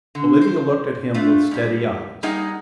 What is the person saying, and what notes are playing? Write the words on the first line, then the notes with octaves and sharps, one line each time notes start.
Olivia looked at him with steady eyes.
D3
C5
A3 D4 F4
G#2 G3
G3 A#3 D#4 G#4 D#5 F#5